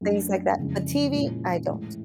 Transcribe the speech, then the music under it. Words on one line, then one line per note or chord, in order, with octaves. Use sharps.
things like that, a TV I don't.
F#2 D#3 F#3 A3 D4
F2 C#3 E3 G#3
A#2 F3 G#3 C#4 E4
A2 E3 G#3